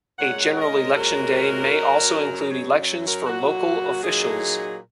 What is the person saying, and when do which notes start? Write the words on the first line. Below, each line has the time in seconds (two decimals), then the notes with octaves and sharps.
A general election day may also include elections for local officials.
0.19 A#2 G#3 C#4 C#5 F#5
0.51 F#5
0.57 A#4 D#5
0.96 A#2 G#3 C#4 F#4 A#4
1.72 F#2 F#3 C#4
2.40 A#4
2.49 F#2 F#3 C#4 G#4 C#5
3.07 F#4 A#4
3.26 A#2 F#3 A#3 F#4
4.02 A#2 F#3 A#3 D#4 G#4